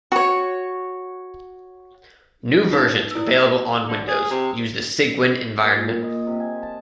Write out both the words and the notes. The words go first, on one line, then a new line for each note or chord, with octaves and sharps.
New versions available on Windows use the Cygwin environment.
F#4 C#5
D#4 B4
E4 E6
D3
G#4
C3
A#2
A#2
D#5
C3
G#5
A5